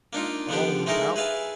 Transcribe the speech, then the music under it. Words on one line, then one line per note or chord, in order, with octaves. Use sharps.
All went out.
A#3 D4 D#4 F4
D3 F3 B3 D4 G4
G#3 A3 D#4 E4 G#4 A#4
G#4 B4 E5 F5 G#5 A5